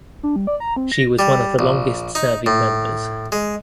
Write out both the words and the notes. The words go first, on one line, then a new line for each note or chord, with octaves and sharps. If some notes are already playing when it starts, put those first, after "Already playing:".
She was one of the longest serving members.
D4
G3
D5
A#5
C4
A#6
G3
A#1
D#4
A2
G#3